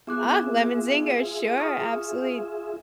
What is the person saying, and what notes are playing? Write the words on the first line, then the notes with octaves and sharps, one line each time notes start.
Ah, lemon zinger, sure, absolutely.
B3 F4 G#4 E5 D6 F#6
C#6 D#6 F6